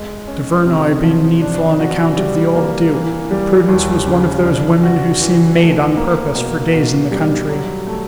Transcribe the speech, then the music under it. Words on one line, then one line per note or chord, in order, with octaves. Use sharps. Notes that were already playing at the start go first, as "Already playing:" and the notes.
Duvernoy being needful on account of the old duke, Prudence was one of those women who seem made on purpose for days in the country.
Already playing: G#3
C#4
C3
F3
D4
F#4
G3
A#3
E3
G3
D#2
C#3
D4
F#4
E3
A3
A#3
B2
B2
G3
F#3
A3